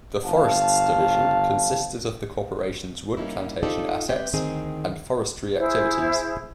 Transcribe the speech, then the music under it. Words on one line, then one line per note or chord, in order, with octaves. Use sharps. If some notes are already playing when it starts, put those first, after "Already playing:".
The Forests Division consisted of the corporation's wood plantation assets and forestry activities.
G1 F5 A5
G3 A#3 C#4 D#4 E4
D#4 F4 G4 A4 C5 D5
G#3 C4 G4 B4 E5 G5
D2 D#3 C4 D#4 G#4
E4 G#4 C5